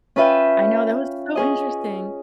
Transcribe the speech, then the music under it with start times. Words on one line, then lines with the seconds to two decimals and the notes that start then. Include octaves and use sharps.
I know that was so interesting.
0.16 C#4 F4 B4 E5 F5 G5
1.35 C#4 G#4 D#5